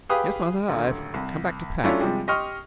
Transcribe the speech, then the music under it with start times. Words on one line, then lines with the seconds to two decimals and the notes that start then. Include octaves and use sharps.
'Yes, mother; I've come back to pack.
0.09 G4 G#4 B4 F5 D#6
0.68 D#1 D2
1.14 C2
1.83 F#3 A3 C#4 D4 E4 F4
2.00 C3 F3 G3 G#3
2.27 G4 D#5 C6 C#6 F6